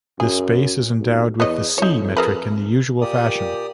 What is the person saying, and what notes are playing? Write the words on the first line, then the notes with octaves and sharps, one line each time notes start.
This space is endowed with the "C" metric in the usual fashion.
F#2 G#4
B1
E2 B3 C#5 D#5
F2 D#4 C#5
G#4 A#4 B4
A#2 G4 D5 D#6